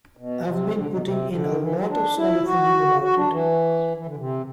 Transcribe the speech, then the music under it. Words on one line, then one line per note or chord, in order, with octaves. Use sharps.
I've been putting in a lot of solid thinking about it.
B2
C3
D3
B2
C3
D3
E3
F#3
D4
E4
F#4
F#4
D4
E3
E3
D3
C3